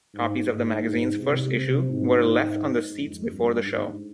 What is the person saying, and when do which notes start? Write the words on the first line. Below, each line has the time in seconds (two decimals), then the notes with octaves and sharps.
Copies of the magazine's first issue were left on the seats before the show.
0.14 G#2
0.50 G#2
0.86 G#2
1.20 C3
1.56 C3
1.90 G#2
2.96 F2
3.31 G2
3.66 G#2